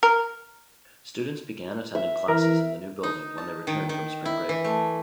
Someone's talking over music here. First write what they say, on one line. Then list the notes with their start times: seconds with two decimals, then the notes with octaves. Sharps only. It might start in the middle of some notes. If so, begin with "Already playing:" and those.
Students began attending classes in the new building when they returned from spring break.
0.03 A#4
1.95 E5
2.28 E3 A#4
3.03 D#4
3.38 A5
3.67 D#3
3.89 D#3
4.25 E4
4.49 E3
4.64 A3